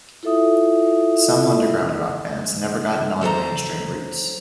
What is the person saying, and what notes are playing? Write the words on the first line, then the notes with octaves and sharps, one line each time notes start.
Some underground rock bands never got non-mainstream roots.
E4 F4 A4 E5 D#6
F#3 A4 C5 A#5